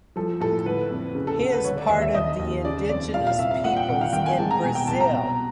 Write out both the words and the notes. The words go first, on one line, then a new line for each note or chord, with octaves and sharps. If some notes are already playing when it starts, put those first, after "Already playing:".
He is part of the Indigenous peoples in Brazil.
F3 A4
A2 A4
D3 B4
F2
C#3
A4
D2
B4
D3 C#5
D5
D#2 E5
E5
D#3 D#5
D#2
C#3 D5
F2 D5
A#2 F5
F5
C2 E5
F5
A#2 F#5
G5
C2 F#5
F5
D#3 G5
G#5
G#2 A5
A#5
B2 G#5
G5
C2 A5
A#5
B2